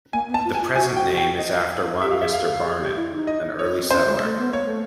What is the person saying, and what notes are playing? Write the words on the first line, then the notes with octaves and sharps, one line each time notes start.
The present name is after one Mr. Barnet, an early settler.
A#3 G#5
B3
A5
F4
G#5
F4
F#4 G#5
G5
G5
D#5
G4 E5
F5
G#4 E5
F5
A4
G#4
G4
E4
D#4
D#5
C#5
C4
C#4 C5
G#3
A3
B3
A#3 C#5
A3